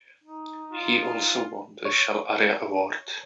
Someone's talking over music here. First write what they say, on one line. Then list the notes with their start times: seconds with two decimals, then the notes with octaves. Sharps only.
He also won the Shell Aria Award.
0.24 D#4
0.73 F4
1.85 C#5